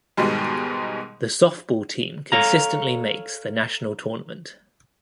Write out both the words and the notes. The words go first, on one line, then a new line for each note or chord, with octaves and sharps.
The softball team consistently makes the national tournament.
G#2 B2 D#3 G3 G#3
A4 C#5 F5 A#5